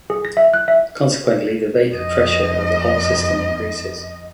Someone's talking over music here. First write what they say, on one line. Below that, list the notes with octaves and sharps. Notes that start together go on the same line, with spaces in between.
Consequently, the vapor pressure of the whole system increases.
G#4
A#6
E5
F#6
E5
F2 D#5